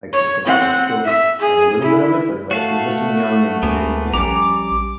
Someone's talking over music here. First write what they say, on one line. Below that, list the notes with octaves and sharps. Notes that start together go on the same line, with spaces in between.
like to think that I still have a little bit of it, but, like, you're looking young and you're, you know,
C#5
C4 F#5
E5
G#4
E4
A3 F#4 F5 F#5 A5
D2 G#3 A#3 B3
A#1 G3 C#4 A#5 D6